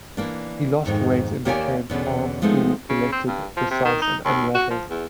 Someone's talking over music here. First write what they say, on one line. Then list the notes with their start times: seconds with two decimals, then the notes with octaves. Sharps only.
He lost weight and became "calm, cool, collected, precise, and unrattled".
0.17 E3 A#3 D4
0.86 F2 G#2 D#3
1.45 D#2 A#3 G4 C#5 D5 G#5
1.90 E2 B2 D3 C#4
2.42 F3 G#3 A3 B3 D#4
2.89 C#3
3.12 C4
3.27 G2
3.57 F3
3.71 C3
3.85 D#3
4.01 D#4
4.25 D#2
4.54 F#4
4.70 F3
4.90 E2